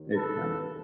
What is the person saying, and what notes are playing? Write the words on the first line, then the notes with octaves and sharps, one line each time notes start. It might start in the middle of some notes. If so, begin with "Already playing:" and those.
It can.
Already playing: D#2 D#3
A4 B4